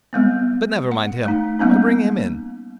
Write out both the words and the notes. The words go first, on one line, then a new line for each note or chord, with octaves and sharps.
But never mind him, why bring him in?
G3 G#3 B3 C4
F#5
A3 D#4
G3 A#3 B3 C#4 D#4